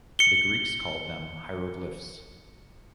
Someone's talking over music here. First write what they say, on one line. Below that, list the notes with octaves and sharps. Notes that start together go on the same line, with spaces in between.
The Greeks called them hieroglyphs.
C#7 G7